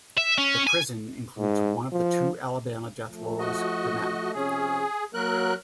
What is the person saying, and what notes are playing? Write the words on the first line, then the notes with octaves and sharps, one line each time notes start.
The prison includes one of the two Alabama death rows for men.
E5
C#4
G#5
G#2
F3
F3 A3
F#4 D#5
C3 F3 C#4 G#4
F#3 A#3 A#4 F#6